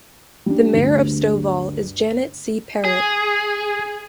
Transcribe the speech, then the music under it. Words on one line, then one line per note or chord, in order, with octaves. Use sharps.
The Mayor of Stovall is Janet C. Parrott.
G3 D4
D2 G2 D3
G#4